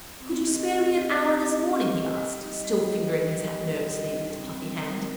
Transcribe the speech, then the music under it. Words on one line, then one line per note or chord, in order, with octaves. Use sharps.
'Could you spare me an hour this morning?' he asked, still fingering his hat nervously with his puffy hand.
C4
G4 D#5
C4
G4 D#5
C4
G4 D#5
C4
G4 D#5
G3
D#4 G4 D#5
G3
D#4 G4 D#5
G3
D#4 G4 D#5
G3
D#4 G4 D#5
G3
C4 D#4 A#4
G3
C4 D#4 A#4